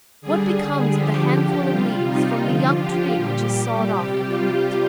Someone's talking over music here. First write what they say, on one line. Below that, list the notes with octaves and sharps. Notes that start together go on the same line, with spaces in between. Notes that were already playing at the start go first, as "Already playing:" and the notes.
What becomes of the handful of leaves from the young tree which is sawed off at the root?
D3 G3 G#4
D3 F3 G4
C3 G3 F4
D#4
D3 F3 F4
G4
A#2 G3
G4
C3 G3
F4